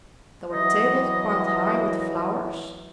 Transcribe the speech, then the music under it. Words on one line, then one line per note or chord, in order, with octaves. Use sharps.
There were tables piled high with flowers.
E3 F#3 D#5